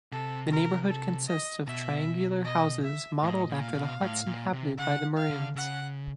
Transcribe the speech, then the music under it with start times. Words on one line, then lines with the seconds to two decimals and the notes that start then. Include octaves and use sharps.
The neighbourhood consists of triangular houses modelled after the huts inhabited by the Maroons.
0.12 C3 A4
0.51 A#4
0.89 A4
1.28 D#5
1.67 B2 E5
2.45 D#5
2.84 E5
3.23 A2 D#5
3.49 A#2
3.62 F5
3.74 B2
4.01 A2
4.26 A#2
4.52 C3
4.78 C#3 F#5
5.17 F5
5.30 D3
5.55 C#3 F#5